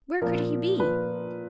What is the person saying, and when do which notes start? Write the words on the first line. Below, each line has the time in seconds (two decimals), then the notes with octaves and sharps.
Where could he be?
0.21 A#2 F3 A#4
0.80 A#2 F3 B4